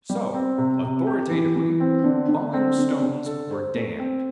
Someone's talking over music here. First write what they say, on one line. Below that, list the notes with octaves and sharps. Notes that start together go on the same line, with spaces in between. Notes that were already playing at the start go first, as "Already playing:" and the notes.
So, authoritatively, falling stones were damned.
G3
C4
C3
C3
G4
E3
E3
C4
D3
D3
C4
D3
D3
A4
C5
A3
C4